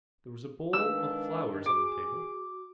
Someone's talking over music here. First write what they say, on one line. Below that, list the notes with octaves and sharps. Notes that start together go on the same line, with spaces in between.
There was a bowl of flowers on the table.
D#3 G#3 D4 B4 F5 E6
F#4 G#4 D6